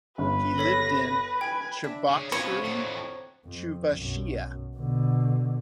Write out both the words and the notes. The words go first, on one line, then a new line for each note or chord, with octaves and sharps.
He lived in Cheboksary, Chuvashia.
G1 B4
A4 C#5 A#6 B6
G5 G#5
D4 E5
C#3 G#4
F#2 B3 C4 F4 C#5
F2 A2 D5 F#5 A#5
F2
B1 F#2
B2 D3